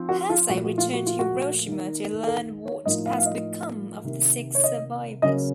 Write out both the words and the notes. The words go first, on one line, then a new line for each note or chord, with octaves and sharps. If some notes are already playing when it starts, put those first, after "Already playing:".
Hersey returned to Hiroshima to learn what has become of the six survivors.
Already playing: F3 C4 D#4
F#4
F4
A#2 F3 A3 F#4
F#4
F4
F#4
F4
F#4
D#3 A#3 D#4
A4
C#5
A2 F3 A#3 D#4 D#5
F5
F5
D#5
C3 D#3 A#3
C#5
D#5
C#3 F#3 A#3 C#4 D#5